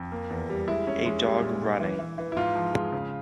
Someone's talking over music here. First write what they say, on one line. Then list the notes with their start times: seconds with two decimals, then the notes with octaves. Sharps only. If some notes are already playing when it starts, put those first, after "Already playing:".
A dog running.
Already playing: F2
0.12 A#3
0.30 E2
0.50 G3
0.68 G#3 E4
0.87 C#4
1.06 G#3
1.24 G3
1.42 A#2
1.61 A#2
1.80 E3
1.99 E3
2.18 E3
2.32 E4
2.36 G#2 F4
2.55 F3
2.74 G#3
2.92 C#3